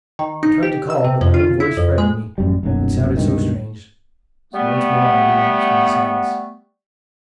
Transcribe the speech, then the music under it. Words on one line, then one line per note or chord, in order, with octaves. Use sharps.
I tried to call, but my own voice frightened me--it sounded so strange; so once more I relapsed into silence.
D#3
D#4
G4
E6
C3
F2
F4
E4
F2
G#3
A1 F#2 G3
D#1 B1 F#2 F#3
C#2 G2 B2 D#3
G3 A3 B3